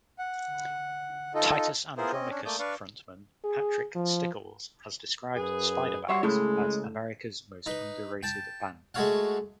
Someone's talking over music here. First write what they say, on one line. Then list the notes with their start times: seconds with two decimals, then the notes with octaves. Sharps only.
Titus Andronicus frontman Patrick Stickles has described Spider Bags as "America’s most underrated band".
0.19 F#5
1.35 D#4 F4 A4 D#5
1.97 B3 E4 F4 G#4 A#4 C5
2.12 C4 C#4 D#5
2.30 C#4 D4
2.45 A3 A#3 D5 D#6 G6
2.59 D4 B4 D5 F5 C#6
3.44 G#4
3.95 F3
5.36 F#2 G#4 B4
6.09 G3 F#4 C#5 E5 C6
6.23 C#3 G#3 A3 E4
7.66 D#4 B4
8.23 G5 A5
8.94 G#3 A3 F#4 C#5 F5 F#5